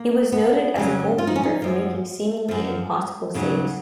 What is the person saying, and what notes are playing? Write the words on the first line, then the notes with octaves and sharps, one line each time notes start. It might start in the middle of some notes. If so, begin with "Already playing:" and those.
He was noted as a goalkeeper for making seemingly impossible saves.
Already playing: A#3
B3
F2 C#3 F#3 C#4
F4
D#4
C#4
D#4
F#2 F3
F#2 F3
D#2 C#3 F#3